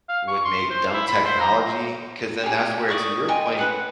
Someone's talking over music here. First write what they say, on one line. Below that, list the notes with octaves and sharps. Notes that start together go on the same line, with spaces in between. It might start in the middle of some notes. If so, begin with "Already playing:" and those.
would make dumb technology. 'Cause then that's where to your point
F5
C#6
C6
C5
E4
B5
C5
A#5
G4 G#4
D5 C#6 D#6
D#5 G5 G#5 C6
B4 F#5